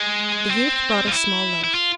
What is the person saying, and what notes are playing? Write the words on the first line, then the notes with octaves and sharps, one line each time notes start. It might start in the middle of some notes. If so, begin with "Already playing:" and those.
The youth brought a small loaf.
Already playing: G#3
C4
F4
E4
E4
F4